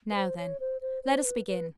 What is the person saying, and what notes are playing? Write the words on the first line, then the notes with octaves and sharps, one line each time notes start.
Now then, let us begin.
B4
C5
C#5
C5
C5
C5
B4
B4